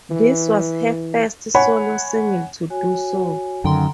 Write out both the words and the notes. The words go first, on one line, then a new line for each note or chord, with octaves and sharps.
This was her first solo single to do so.
E3
C#5 F#5 G#5 B5
F#4 C#5 G#5
F#2 D3 D#3 G5 A#5 C6